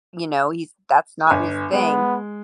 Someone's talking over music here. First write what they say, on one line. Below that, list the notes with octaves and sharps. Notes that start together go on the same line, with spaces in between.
You know, he's that's not his thing.
G1 G#5
G#3 B3